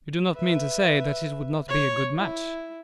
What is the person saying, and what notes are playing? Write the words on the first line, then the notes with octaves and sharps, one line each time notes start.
"You do not mean to say that it would not be a good match?"
B4 E5
C#5
E4